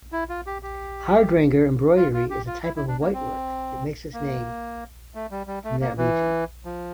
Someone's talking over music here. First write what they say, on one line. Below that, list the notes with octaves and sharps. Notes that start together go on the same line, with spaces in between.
Hardanger embroidery is a type of whitework that takes its name from that region.
E4
F4
G4
G4
F4
F4
G4
F4
E4
E4
D4
A#3
C4
A#3
A3
G3
G3
A3
A#3
E3
F3